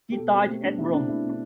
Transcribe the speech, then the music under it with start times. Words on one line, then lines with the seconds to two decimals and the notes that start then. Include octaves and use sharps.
He died at Rome.
0.12 G4
0.17 B2 A4
0.33 C4 G4
0.48 A3
0.63 B2 D4
0.78 B2 E4
0.93 C4 D4
1.09 A3 E4
1.24 B2
1.29 D4